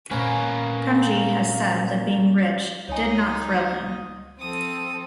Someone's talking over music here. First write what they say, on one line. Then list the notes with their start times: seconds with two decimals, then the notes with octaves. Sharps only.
Premji has said that being rich "did not thrill" him.
0.11 A#2 A3 A#3 C#4 B4 C#6
2.88 C#2 D#4 C#5 D#5 F5 G#5
4.39 F3 C4 A4 D#6